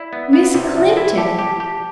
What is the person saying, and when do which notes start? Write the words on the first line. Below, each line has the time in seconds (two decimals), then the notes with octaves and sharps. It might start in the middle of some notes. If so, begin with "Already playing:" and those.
Miss Clinton!
Already playing: E4 D5
0.13 B3
0.33 B3
0.54 C3 D5
0.64 E5
0.73 F3 D5
0.97 E4
1.18 G4 A5
1.39 G4
1.50 A5
1.60 G4